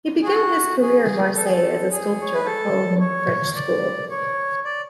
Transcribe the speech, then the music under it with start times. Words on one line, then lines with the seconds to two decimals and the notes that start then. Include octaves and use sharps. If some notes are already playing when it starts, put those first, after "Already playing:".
He began his career in Marseille as a sculptor following the French school.
0.23 G#4
0.26 F#4
0.82 G#4
1.36 A4
1.45 G#4
1.53 A4
1.91 G#4
2.21 C#5
2.34 B4
2.45 A4
3.00 C#5
3.55 D5
4.10 C#5
4.65 D5